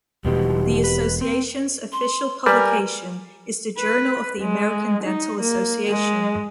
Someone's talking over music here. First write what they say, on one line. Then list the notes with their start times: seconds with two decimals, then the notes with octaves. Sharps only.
The association's official publication is The Journal of the American Dental Association.
0.25 E1 B2 D#3 F3 G3 G4
0.84 B4
1.21 C4
1.92 C6
2.46 G3 A#4 B4 D5 G#5
3.78 B4
4.41 G#3
5.04 D#4
5.40 A#3
5.88 G#3